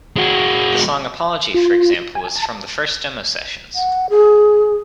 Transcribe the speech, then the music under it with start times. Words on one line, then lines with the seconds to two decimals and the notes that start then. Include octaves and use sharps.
The song 'Apology' for example was from the first demo sessions.
0.16 G#3 F#4
1.54 F4
2.15 G#5
2.36 A5
3.75 F#5
4.10 G#4